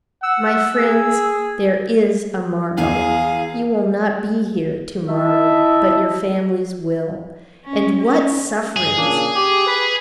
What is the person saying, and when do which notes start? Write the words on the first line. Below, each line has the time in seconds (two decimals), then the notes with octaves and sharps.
My friends, there is a morrow; you will not be here to-morrow, but your families will; and what sufferings!
0.23 F#5 E6
0.76 G#4
2.77 E2 G#4 F5
5.10 E4 D#5 E5 A5
7.65 C#4
7.99 C#4
8.76 G2 G#4
8.98 A#2 C#3 D4
9.35 G4
9.67 B4